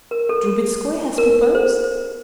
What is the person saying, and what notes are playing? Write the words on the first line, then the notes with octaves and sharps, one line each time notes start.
"Drubetskoy has proposed?"
A#4
A4
A#4
C5